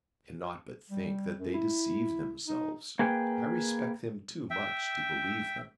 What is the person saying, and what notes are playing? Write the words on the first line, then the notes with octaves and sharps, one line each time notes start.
I cannot but think that they deceive themselves; I respect them too much to believe them.
G3
F#2
E4
D#4
A#3 G#4 B4 F#5 G5
E5 G5